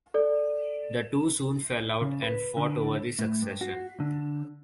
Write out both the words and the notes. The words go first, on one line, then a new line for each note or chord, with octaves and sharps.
The two soon fell out and fought over the succession.
A4 D5
C#3
B4
D3
A2
G2
F#4
D3